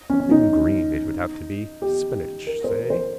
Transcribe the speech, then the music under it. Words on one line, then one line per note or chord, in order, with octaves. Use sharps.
Something green it would have to be: spinach, say.
C#4
C#4
D#4
G4
A#4
C5
A#4
C5